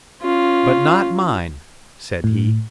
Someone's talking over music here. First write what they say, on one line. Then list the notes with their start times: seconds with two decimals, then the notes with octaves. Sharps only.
"But not mine," said he.
0.21 C#4 F4
2.24 A2